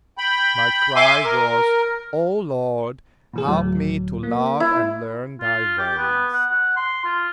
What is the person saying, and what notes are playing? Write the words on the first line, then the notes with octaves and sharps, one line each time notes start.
My cry was "O, Lord, help me to love and learn thy ways."
G5 B5
E5 G#5 C6 D6
A#4
A#2 E3 G#4
D2 A2 F#3
A#3
E4
F4
G4
B3
F#5
F#5
C6
F4